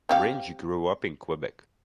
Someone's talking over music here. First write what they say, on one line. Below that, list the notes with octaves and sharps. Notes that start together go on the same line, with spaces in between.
Ringe grew up in Quebec.
C4 G4 F5